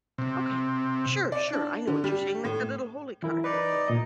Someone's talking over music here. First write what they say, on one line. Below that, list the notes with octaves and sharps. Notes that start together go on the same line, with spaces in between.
Okay, sure, sure, I know what you're saying, like, the little holy card that they have.
C3
D5
D4
D3
G3
A2
E3 E4 A#4
D#4 B4 D5
A#2 D#5 A#5